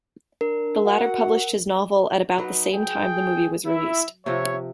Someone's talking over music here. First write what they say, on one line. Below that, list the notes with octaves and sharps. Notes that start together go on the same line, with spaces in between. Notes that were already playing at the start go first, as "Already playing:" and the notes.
The latter published his novel at about the same time the movie was released.
D4 A#4
F#4 F#5
F#3 D#4 B4
G#4 G5
E4 E5
C3 F3 C#5 E5